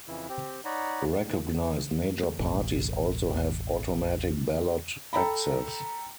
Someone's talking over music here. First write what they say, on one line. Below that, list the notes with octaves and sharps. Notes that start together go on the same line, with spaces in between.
Recognized major parties also have automatic ballot access.
F2 C#3 E3 E4
C4 G4
D#4 C#5 D5 F#5 A#5 B5
E1 A1
A4 G5 A#5 B5